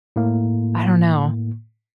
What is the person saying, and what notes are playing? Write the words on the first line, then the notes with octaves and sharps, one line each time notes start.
I don't know.
A2 A#3